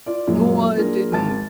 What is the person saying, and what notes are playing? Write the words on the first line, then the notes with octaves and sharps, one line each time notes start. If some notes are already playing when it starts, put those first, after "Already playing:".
No, I didn't.
F4 D5
F#2 A#2 F#3 G#3
A#3 D4 F4 G#4 A#4
G#1 A5 A6